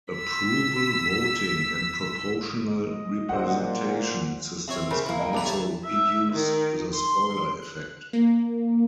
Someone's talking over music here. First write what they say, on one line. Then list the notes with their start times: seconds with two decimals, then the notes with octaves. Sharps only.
Approval voting and proportional representation systems can also reduce the spoiler effect.
0.14 E6 B6
2.68 D#5
3.29 A#2 C5 F#5
4.68 C3 C#5
4.90 C#3 C4 A#4
5.06 A#3 E4
5.19 D#5 G5 G#5
5.33 E2 A4 B4 D6 F7
5.46 G4 C#5 E5 A5
5.84 E5
6.32 D#3
6.94 C6
7.62 F#6
8.13 A#3